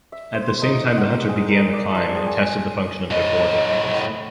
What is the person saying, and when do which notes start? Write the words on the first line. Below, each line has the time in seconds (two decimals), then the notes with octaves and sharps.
At the same time the hunter began the climb and tested the function of their board weapons.
0.12 E5
0.34 C5
0.48 C6
0.62 D#4
0.98 F#5
1.14 A#5
1.29 G#4
1.49 A#4
1.73 D5
1.95 F3
2.15 G#4
2.27 G#5
3.11 A2 D#5